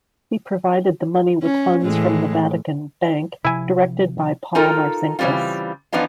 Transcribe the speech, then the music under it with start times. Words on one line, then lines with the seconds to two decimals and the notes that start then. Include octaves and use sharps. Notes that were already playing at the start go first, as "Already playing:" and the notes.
He provided the money with funds from the Vatican Bank directed by Paul Marcinkus.
1.42 C#4
1.83 A2 E3 G#3
3.45 C3 F3 E4 G#5
4.55 D#4 F4 A4 A#4
5.19 C#3 E3 G3 C4 F4
5.93 E3 F3 B3 D4 D#4 F4